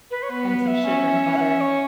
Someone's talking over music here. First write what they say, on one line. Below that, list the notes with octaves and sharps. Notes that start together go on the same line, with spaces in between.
and some sugar and butter,
B4
C#5
B3 B4
B4
F#5
E5
C#4
F#5
E5
C#5